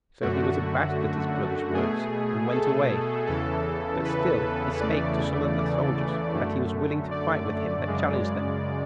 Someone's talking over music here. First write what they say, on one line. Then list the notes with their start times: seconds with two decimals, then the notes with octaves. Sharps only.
So he was abashed at his brother's words, and went away, but still he spake to some of the soldiers that he was willing to fight with him that challenged them.
0.22 F#2 D3 A3 F#4
1.74 B2 A3 G#4
2.51 A4
3.27 E2 C#3 E3 A4
4.04 B4
4.80 E2 C#3 E3 A3 D5
6.34 F#2 D3 A3
7.11 D5
7.87 F#2 C#3 G#3